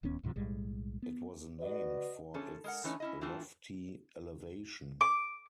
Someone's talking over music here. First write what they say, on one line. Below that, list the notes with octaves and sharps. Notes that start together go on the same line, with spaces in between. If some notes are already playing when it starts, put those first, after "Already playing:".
It was named for its lofty elevation.
D1 D#2 B3 C#4
C#2 G#2 C3 F3
B1 A2 G3 G#3
B3
F#4 B4 D5 D#5
E3 F3 C#4 G#4 A4
G#3 A#4 F#5
E3 A3 C#4 D#4 B4 C#5
C#4 E4 D#5
E3 A3 C4 D4 F4 F#4
D6